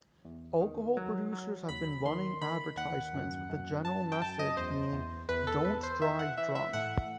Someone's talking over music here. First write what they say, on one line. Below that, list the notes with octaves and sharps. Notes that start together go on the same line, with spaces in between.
Alcohol producers have been running advertisements with the general message being "don't drive drunk".
E2
D#3
F#3
F#3
D#2 B5
D#3 C6
D#3 B5
D#2 F#5
F#2
F#2
F#2 A5
G5
F#2 A5
D#5
E2 C5
E2
E2 B4
A4
E2 B4
C5
E3 E5
F#5
E3 E5
E5
A2 F#5